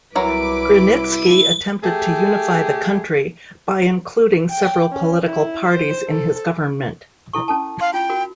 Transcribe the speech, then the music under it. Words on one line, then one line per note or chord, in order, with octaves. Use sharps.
Grunitzky attempted to unify the country by including several political parties in his government.
C2 E3 F#3 E4 A#4 B4 D6
A3 G4 G#4
G5
C#4
E4
C5
A4
E4 A4 C#6
C#4 A4 A5
F5 C6
F4 G5
F#4 A#4